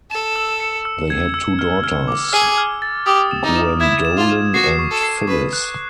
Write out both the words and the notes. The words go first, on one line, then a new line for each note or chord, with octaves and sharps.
They had two daughters, Guendolen and Phyllis.
A4 E7
E6
C#7
E6
G#6
E6
F6
F6
D6
G#4 F6
F6
A6
G4 D#6
E7
D#4
E7
E4 G#6
E7
F4
E7
F#4 C7
C#6
A4
C7
B4 C#6
F#6